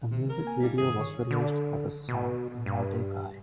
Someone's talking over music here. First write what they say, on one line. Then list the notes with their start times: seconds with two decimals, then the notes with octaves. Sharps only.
A music video was released for the song Mordecai.
0.11 C3 D#3
0.29 C3 A#4
0.44 A#3 G#5
0.63 G3 D#4 F4
0.78 G2 D3 D#3 G#4
1.00 C#5
1.31 D3
2.08 B2
2.66 G2